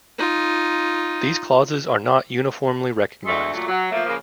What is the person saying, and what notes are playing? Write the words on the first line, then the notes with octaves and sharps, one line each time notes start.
These clauses are not uniformly recognized.
D#4 F4
D2 G#3 A3 A4
A#2 F#3 A3
F#3
F3 A3 A#3
C#3 F3 A#3